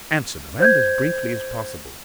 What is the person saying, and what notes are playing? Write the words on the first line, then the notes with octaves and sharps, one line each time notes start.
Answer them, and as briefly as possible.
C5 G6 G#6